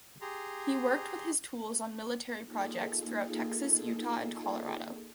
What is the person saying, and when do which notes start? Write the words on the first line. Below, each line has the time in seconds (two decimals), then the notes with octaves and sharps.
He worked with his tools on military projects throughout Texas, Utah and Colorado.
0.21 G4 G#4 A#5 C6
2.45 A#3 D#4 F4 G#4 A4